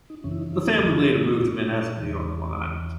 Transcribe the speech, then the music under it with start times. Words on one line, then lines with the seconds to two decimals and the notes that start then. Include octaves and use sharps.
The family later moved to Manhasset, New York, Long Island.
0.10 D#4
0.24 F#2 C#3 E3 C#4
0.31 E4
0.38 D#4
0.53 E4
0.67 F#4
0.82 F#2 C#3 E3 G#4
0.93 F#4
1.03 E4
1.15 F#4
1.40 A#2
1.97 E2 C#3 E3
2.55 E2 C#3 E3